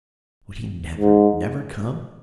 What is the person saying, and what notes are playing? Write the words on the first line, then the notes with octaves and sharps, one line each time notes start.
Would he never, never come?
G#2